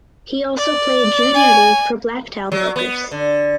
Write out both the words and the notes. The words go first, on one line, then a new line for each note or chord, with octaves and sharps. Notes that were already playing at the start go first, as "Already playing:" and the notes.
He also played junior league for Blacktown Workers.
D5
G#5
F#3
B3
D3